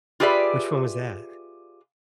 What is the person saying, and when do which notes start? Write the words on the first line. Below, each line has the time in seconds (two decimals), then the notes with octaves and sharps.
Which one was that?
0.20 F4 G4 G#4 B4 D5 E5